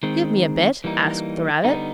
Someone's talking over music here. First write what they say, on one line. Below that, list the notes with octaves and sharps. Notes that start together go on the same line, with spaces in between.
'Give me a bit,' asked the rabbit.
D#3 G#3 C4
E3 G3 A#3 D#4
D3 G3 B3 D#4